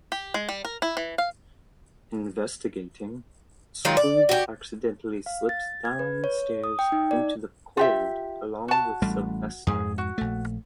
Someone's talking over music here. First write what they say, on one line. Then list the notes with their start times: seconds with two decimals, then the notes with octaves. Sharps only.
Investigating, Scrooge accidentally slips down the stairs and into the cold along with Sylvester.
0.12 G4
0.34 G#3
0.49 G3
0.65 A#4
0.82 E4
0.97 E3
1.18 F5
3.85 D#3 F#3 G#3 F4
3.97 D5
4.29 F#4 G4
5.26 F5
5.49 A6
5.85 G#6
5.99 B4
6.24 C#5
6.64 D#6
6.79 G5
6.92 D#4
7.11 D5
7.77 F4 G4 E5
8.68 F#4 A5
9.02 A1 G3 A3
9.67 F2 G#2 G#4
9.98 F#4
10.18 A#1 A3